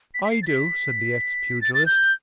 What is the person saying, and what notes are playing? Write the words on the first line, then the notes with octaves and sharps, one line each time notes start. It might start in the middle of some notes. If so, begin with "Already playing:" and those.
"I do," said the ex-pugilist.
B6
B6
C7
A6
B6
A6
A6
G6